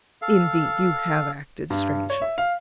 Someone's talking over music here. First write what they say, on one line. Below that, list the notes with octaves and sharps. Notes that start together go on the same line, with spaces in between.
Indeed, you have acted strangely.
A4 F5
G2
C#5
E5
F5